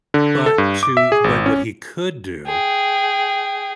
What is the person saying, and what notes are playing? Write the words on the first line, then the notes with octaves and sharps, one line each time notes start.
But to but what he could do,
D3
A4
G2
D6
E5
G#4
G#1
C#4
G#4 G5